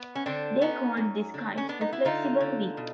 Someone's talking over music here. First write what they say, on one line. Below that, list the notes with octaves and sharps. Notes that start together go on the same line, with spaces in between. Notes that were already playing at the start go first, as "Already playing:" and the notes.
They called this kite the "flexible wing".
Already playing: B3
C#4
D3 C4 D4
B3 C#4 D#4
F#2
D3
C#4
B3 D4
D#4
E4
D3 D#4 F4
D3
B2